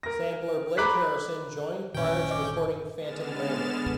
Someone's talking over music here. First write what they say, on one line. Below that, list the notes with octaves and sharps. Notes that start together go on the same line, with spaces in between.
Sampler Blake Harrison joined prior to recording "Phantom Limb".
A#4 A#6
A#5 B5 D6 F#6 B6
G1 A#2 D#3 C#4 G5
D#5 D6
D3 G#3 B3 F6 A6 E7